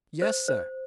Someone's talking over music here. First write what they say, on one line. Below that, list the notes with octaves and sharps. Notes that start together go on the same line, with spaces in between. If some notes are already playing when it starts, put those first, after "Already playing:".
"Yes, sir."
C5
C5